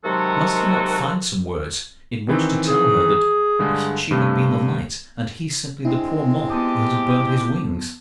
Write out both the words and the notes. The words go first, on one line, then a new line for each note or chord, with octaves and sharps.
Must he not find some words in which to tell her that she had been the light, and he simply the poor moth that had burned his wings.
C3 D#3 F#3 G#3 F#4 A4
D#3 E3 C4
G#4
G2 D3 G#3
G2 C3 A3
G#3 C4 D4 E4
B3 G4 A5 D#6